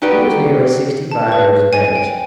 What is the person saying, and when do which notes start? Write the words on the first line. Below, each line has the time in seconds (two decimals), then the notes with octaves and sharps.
He was nearly sixty-five years of age.
0.02 D#4 F#4 G4 B4 D5
1.11 A5
1.32 B4
1.73 G#5
1.95 G5